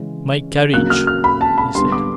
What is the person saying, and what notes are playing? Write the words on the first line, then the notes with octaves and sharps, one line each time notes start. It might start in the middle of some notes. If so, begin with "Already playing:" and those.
"My carriage!" he said.
Already playing: C#3 E3 G#3 C#4
C#3 F#3 A#3 F#6
F6
F6
B5
A5
B5
D3 G3 B3 C6
D6